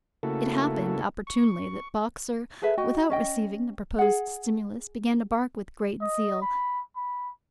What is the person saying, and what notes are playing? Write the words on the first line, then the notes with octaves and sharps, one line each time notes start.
It happened opportunely that Boxer, without receiving the proposed stimulus, began to bark with great zeal.
C#3 A3 A#3 E4 F#4 A4
C#6
G#4 A4 B4 E5
F#4 D#5 G5
C#4 D#5 G5
G#4 F#5
D#5
B5
B5